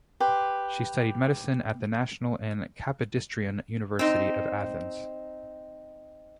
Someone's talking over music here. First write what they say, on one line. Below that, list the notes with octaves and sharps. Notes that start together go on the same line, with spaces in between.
She studied medicine at the National and Kapodistrian University of Athens.
G4 B4 C6
C4 D#4